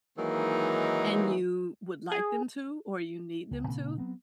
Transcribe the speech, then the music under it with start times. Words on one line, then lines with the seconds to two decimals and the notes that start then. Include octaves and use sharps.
and you would like them to or you need them to,
0.18 D#3 E3 F#3 G#3 A#3 D#4
2.12 G#4
3.51 C#2
3.67 A#2 C#3 A#3 C4
3.98 F#3 B3 C4